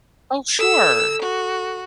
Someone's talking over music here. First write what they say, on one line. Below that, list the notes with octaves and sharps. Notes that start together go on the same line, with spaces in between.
Oh, sure.
A4 E6
F#4